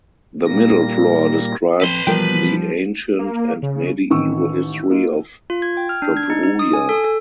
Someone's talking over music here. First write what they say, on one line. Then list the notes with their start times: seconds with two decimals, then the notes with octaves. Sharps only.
The middle floor describes the ancient and medieval history of Dobruja.
0.46 A#2 G3 A#3 A#6
1.82 F2 B4 C6
2.07 B2 E3 F3 G3 A#4 G5
3.19 A#3
3.62 C#3
4.10 A1 D#3 C#4 C#6 E6
4.90 A#3 D#4 F4
5.50 F4
5.62 G#6
5.77 G5
5.89 F6
6.02 D4
6.17 G#6
6.30 D#4
6.43 D#4
6.59 D#6
6.74 G#5
6.89 A4
7.04 A4